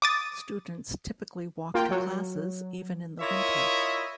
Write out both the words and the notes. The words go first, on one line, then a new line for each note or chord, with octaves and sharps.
Students typically walk to classes, even in the winter.
D6 D#6 A6
A#3 F4 G5
F#3
E4 F4 A#4 C#5 D#5 E5